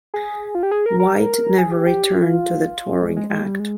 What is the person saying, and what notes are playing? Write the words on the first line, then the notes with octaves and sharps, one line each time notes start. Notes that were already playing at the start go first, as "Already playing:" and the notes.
Whyte never returned to the touring act.
G#4
F4
G4
G#4
A#4
A#4
G#4
G4
G4
F4
G#3
G#3
G#3
G3
G#3